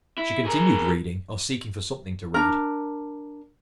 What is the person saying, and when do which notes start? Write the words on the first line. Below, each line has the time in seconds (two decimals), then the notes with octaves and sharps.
She continued reading, or seeking for something to read.
0.18 E4
0.45 G#4 A#4
2.34 D4 A#4